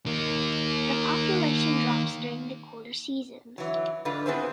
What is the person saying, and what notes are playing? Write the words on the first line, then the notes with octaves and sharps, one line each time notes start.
The population drops during the colder seasons.
D#3 A#3
E3 F#3
G#2 D3 F4 B4
B3 C4 E4 G#4 B4 C5